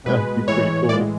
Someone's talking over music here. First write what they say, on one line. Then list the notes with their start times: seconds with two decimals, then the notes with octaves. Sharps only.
That'd be pretty cool.
0.06 B2 G#3 B4
0.48 A2 E3 G#3 C#5
0.89 A2 E3 G#3 D5